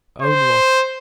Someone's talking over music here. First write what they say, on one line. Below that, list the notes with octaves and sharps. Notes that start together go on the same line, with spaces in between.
Own what?
C5